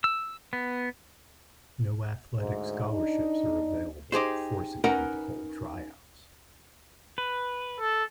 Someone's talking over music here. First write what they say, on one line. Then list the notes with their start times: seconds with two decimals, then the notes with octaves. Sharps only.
No athletic scholarships are available, forcing them to hold tryouts.
0.04 E6
0.53 B3
2.35 D2 G#2
2.89 D4 D#4
4.12 D#4 G4 G#4 C5
4.84 C#4 D#4 A#4 B4 F#5 A#5
7.18 B4
7.79 A4